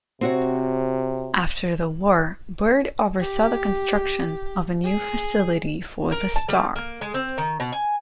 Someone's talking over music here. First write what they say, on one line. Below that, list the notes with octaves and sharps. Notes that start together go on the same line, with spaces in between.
After the war, Byrd oversaw the construction of a new facility for the "Star".
C3 C4 F#4 C#5
G4
G#4
A#4
A5
G3
A#3
G#3
C4
D#3
B2
G#5